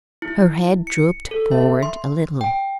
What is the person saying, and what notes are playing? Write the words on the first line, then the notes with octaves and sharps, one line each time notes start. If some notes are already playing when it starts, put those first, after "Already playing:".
Her head drooped forward a little.
E4
C#7
A4
E5
C6
G5